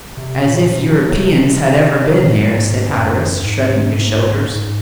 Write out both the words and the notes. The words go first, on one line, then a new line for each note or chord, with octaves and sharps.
"As if Europeans had ever been here!" said Hatteras, shrugging his shoulders.
C3
A#2
C3
F3
F#3
C3
G#2
F#2
G#2
G#2